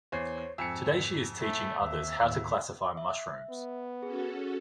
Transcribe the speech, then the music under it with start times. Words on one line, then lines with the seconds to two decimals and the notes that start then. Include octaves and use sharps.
Today she is teaching others how to classify mushrooms.
0.12 E2 C5 C#5 C7
0.58 F2 G#2 G#5 E6 C#7
1.41 A3
1.79 D#2 E5
2.21 D#2 A2
2.97 E5
3.50 B3
4.03 C#4 F#4 G#4 A4